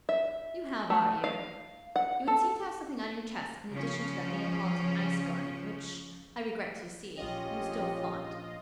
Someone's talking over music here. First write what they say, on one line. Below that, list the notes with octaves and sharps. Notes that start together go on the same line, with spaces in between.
'You have our ear. You would seem to have something on your chest in addition to that Neapolitan ice garment which, I regret to see, you still flaunt.
E5
A3
F5
F#5
A4
C#3 F3 C#4
A#1 C#4 F4 G4 D#5